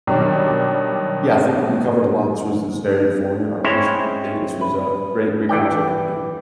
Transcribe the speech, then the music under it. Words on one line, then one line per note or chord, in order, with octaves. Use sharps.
yeah, I think we covered a lot, this was this was very informative, I appreciate it. This was a great great conversation with you.
B2 D#3 F#3 G3 D4
G#3 C4 C#4 E4 C5 C#5
B4
E3 D5 G5